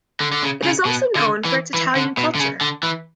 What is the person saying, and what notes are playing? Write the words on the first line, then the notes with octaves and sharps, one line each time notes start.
It is also known for its Italian culture.
D3
D3
C#3
C#3
B2
D3
E3
E3
D3
B2
D3
C#3
D3
E3